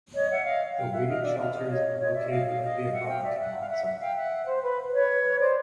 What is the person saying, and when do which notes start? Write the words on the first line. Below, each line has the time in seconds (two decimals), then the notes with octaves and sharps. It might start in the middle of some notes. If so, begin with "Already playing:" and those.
The waiting shelters are located directly above the canal itself.
0.14 C#5 D#5
0.30 E5 F#5
0.44 D#5 F5
0.76 F5 G5
0.91 E5 F#5
1.06 D#5 F5
1.22 D5 E5
1.37 D#5 F5
1.53 D#5 F5
1.68 C#5 D#5
1.99 C#5 D#5
2.14 D5 E5
2.30 D#5 F5
2.45 D#5 F5
2.61 D#5 F5
2.83 F5
2.92 E5 F#5
3.07 F5 G5
3.23 D5 E5
3.38 E5 F#5
3.62 F5
3.69 E5 F#5
3.84 E5 F#5
3.99 F5 G5
4.15 E5 F#5
4.46 C5
4.62 B4
4.93 B4 C#5
5.39 C5 D5